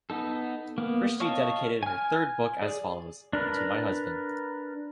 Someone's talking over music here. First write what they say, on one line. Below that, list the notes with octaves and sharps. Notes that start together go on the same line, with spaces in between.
Christie dedicated her third book as follows:To My Husband.
B3 D#4 A4
A#3 B3
C#5 D#5 F5 A5 C#6
G#5 F6
G#4 D5
D4 A#4 B4